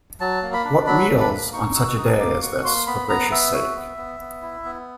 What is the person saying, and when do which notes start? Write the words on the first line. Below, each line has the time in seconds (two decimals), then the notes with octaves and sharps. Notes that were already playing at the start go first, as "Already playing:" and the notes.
What wheels on such a day as this, for gracious sake?
0.20 F#3 A5
0.42 A#3
0.53 B5
0.64 D4
0.87 F#3 B5
1.09 D4
1.20 B5
1.31 A#3
1.53 D#4 C#6
1.75 F#4 E6
1.97 D#4 D#6
2.20 A#3 D6
2.42 F#4 C#6
2.64 A#3 C6
2.87 B3 B5
3.09 B3 A#5
3.31 B3 E5
3.53 F#4
3.76 B3
3.98 B3
4.20 B3
4.42 E4
4.65 B3